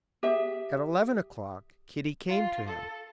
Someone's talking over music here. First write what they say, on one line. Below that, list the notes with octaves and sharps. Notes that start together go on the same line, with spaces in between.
At eleven o'clock Kitty came to him.
G4 G#4 E5
F4
A4